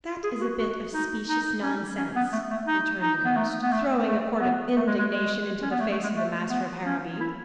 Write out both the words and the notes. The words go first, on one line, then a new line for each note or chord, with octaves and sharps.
"That is a bit of specious nonsense," returned the ghost, throwing a quart of indignation into the face of the master of Harrowby.
G#4
F#4
F#4
D#4
D#4
C#4
C#4
B3
A3
A3
D#4
D#4
B3
A3
B3
A3
A3
B3
A3
G#3
G#3
G#3
C#4
B3
A3
A3
G#3
A3
B3
C#4
E4